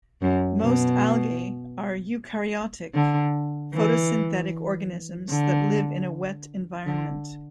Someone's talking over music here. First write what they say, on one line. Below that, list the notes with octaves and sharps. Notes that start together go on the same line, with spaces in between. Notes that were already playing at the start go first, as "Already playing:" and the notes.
Most algae are eukaryotic, photosynthetic organisms that live in a wet environment.
F#2
B2
D3
E3
D3
D3